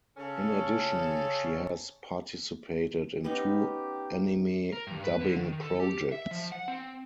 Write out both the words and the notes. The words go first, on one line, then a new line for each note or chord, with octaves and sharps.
In addition, she has participated in two anime dubbing projects.
C#3 C#4 A4
B3 C#4 D#4 G4
A#4
G2
B4
D3
D#3
A4
G4
E5
F3
F#5
C4